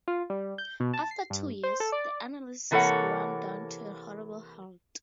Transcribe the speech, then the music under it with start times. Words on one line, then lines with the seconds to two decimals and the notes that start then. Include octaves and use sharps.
After two years, the analysis ground down to a horrible halt'.
0.08 F4
0.30 G3
0.58 G6
0.80 B2
0.93 A5
1.11 C7
1.30 G2
1.63 C5
1.80 A4
1.92 D5
2.71 C3 E3 A#3 A4 C#5 F#5